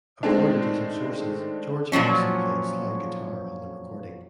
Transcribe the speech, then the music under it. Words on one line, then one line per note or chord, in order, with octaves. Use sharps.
According to some sources George Harrison played slide guitar on the recording.
D#3 G#3 A3 C4 D4
A#2 F3 F#3 C#4